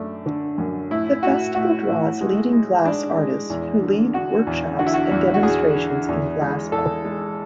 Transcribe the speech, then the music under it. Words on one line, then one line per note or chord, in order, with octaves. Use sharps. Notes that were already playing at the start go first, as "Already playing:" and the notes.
The festival draws leading glass artists who lead workshops and demonstrations in glass art.
Already playing: F#2 A3 D4
D3
F#2
A2 E4
A2 F#4
A2 F#4
A2
G#3
G#3
G#3 D4
G#3
E2
D3
D3 F#4
E2
D3 F#4
E4
F#4
E2
F#4
E2 G#4
D3
E2
G#3
E2 A4
G#3